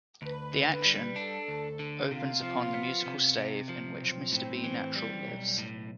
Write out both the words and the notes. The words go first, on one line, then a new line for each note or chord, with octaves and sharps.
The action opens upon the musical stave in which Mr. B Natural lives.
D2 B4
D3
B4
G3
D4 A4
D2
D3
C3 F4
F3
B3
C3
C3
F3
B1 C4
A2
E3
G3
B1
A2